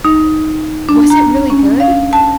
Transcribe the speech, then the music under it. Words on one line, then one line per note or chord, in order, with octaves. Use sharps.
Was it really good?
D#4
D4
A#5
C#4
F5
A5